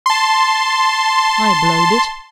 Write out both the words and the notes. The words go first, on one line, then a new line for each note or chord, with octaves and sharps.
"I blowed it."
A5 C6